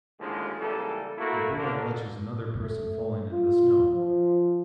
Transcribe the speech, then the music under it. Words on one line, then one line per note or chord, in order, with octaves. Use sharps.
A boy watches another person falling in the snow.
A1 D#2 A2 D3 F3 G#3
C#2 E3 G3 A#3 A4
A3 A#3 E4 F#4 A4 A#4
D3 A#3 D4
A3
F4
F3